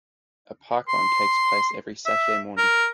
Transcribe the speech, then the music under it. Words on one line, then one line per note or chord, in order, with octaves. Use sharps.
A Parkrun takes place every Saturday morning.
C6
E5
A#4